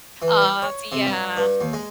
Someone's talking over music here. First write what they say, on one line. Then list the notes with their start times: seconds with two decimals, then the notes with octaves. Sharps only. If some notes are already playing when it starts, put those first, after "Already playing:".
Ah, see, yeah.
0.22 E3
0.42 G3
0.62 C#5
0.92 C3
1.07 G2
1.37 G2
1.61 D#2
1.73 G#3